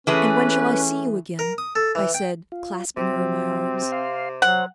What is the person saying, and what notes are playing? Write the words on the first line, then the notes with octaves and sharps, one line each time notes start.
"And when shall I see you again?" I said, clasping her in my arms.
E3 A3 C#4 G#4 B4
A#4
D#6
A4
E3
G5
F4
C3 F#3 C4
F5 C6
F#3 C5 F#5